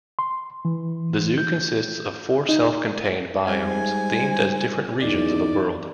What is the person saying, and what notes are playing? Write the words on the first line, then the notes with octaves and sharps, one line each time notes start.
The zoo consists of four self-contained biomes themed as different regions of the world.
C6
E3
G6
D#4
G#2 G3 G#3 C5 G#5
E2 D#4 D5